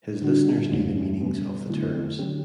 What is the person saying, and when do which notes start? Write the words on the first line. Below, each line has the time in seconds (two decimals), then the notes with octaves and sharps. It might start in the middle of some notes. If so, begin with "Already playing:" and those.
His listeners knew the meanings of the terms.
0.22 D3 G3 D4 F#4
0.71 E2 C#3 E3 A3 C#4
1.21 B2 G3 B3
1.70 D3 F#3 A3 E4
2.19 D3 F#3 C#4 G4